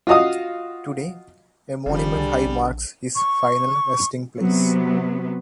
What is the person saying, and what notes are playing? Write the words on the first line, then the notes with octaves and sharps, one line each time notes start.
Today, a monument high marks his final resting place.
F4 F#4 D#5 F5 D#6
F#1 C#3 F3 G3
C2 D3 D4 G#4
A#1
C#6
C3 F#3 B3